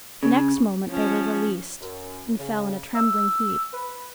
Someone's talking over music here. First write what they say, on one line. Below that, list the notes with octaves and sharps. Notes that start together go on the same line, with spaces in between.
Next moment they were released, and fell in a trembling heap.
C#3
F3 C#4
F#2
C#3
E6
B4